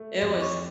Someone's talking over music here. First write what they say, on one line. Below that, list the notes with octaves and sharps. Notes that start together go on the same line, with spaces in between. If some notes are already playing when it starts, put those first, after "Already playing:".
it was
Already playing: A3
F2 D5
C#5